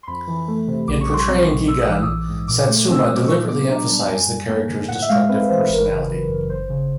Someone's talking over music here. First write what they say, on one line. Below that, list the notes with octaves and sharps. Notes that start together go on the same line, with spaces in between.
In portraying Gigan, Satsuma deliberately emphasized the character's destructive personality.
C6
F2 B5
E3
A3
C3
A#1 D6
C#6
G3
C6
C4 C#6
A#2
A#1 E6
D#6
E3 D6
D#6
A#1
G#2
A#2 D6
A3
C4 E6
F#3 D#6
D6
A#2 C#6
B3 D6
D4 A#5
G3 A5
F#2 G#5
G3
A#3
D3
A2 F#5
E5
G#3 F5
C4 B4
E3 C5
B4
G1 A#4
B4
C#3
F#3
F#2
G1 C5
C#3